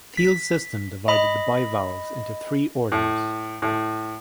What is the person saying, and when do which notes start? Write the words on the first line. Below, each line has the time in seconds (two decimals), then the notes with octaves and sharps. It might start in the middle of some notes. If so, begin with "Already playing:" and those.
Thiele's system divided the bivalves into three orders.
0.17 B6
1.08 D#5 B5
2.92 A2
3.62 A2